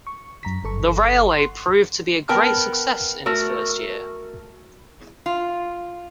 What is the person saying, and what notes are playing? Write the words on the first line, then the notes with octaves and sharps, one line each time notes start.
The railway proved to be a great success in its first year.
C#6
F#2 A#5 B6
G1 A4 C#6
F#5 C6
B3 A#4 G5 A5
A3 F#4 A#4
F4